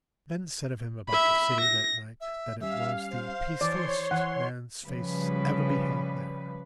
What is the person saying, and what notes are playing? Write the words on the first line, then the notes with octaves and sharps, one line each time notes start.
Men said of him about the city that night that it was the peacefullest man's face ever beheld there.
E5 B5
A#6
E5
G3 C#4 E5 F5
C5
E3 C#5 D5 C6
E3 F#5
C#3 F3 G3 B4